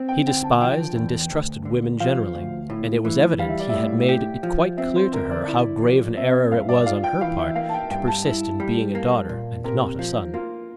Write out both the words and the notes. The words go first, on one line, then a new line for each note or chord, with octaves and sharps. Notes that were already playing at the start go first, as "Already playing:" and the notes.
He despised and distrusted women generally, and it was evident he had made it quite clear to her how grave an error it was on her part to persist in being a daughter and not a son.
Already playing: C4
G5
D3 G5
A5
F3 G5
E2
D2
D3
F3 F5
D2
A2
E3
G3 F5
E5
D5
A2 E5
G4
F3
C4 E5
C5
D3 A#4
D5
E4
F3
C4 E5
G2 F5
D5
F4 F5
G5
E3 F5
E5
A#3 F5
A5
G5
G2 G5
A5
E4
G3
A#3
A#2
C3 A#4
F3
A#3 F4